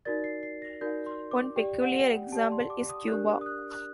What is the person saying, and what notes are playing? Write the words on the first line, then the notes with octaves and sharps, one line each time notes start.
One peculiar example is Cuba.
D#4 F#4 A#4 D5 A6
C7
C7
A#6
D#4 F#4 A#4 D5 G6
C6
D6
G4 D5 G5
F#5
G5
G4 D5 A5
C6
D6
D#6
D4 G4 A#4 D5 F#6
D#6
F#6
F#6